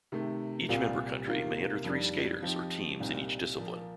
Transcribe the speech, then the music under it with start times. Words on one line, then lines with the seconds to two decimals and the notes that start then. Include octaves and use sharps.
Each member country may enter three skaters or teams in each discipline.
0.12 C3 D#3 A3
0.69 C2 A#2 G3 C4 F4
1.27 C3 D#3 A#3 F4
1.84 F2 D#3 G3 D4
2.42 F3 C4 D#4 G4
2.99 C2 A#2 G3 C4 D#4
3.58 A#2 F3 A#3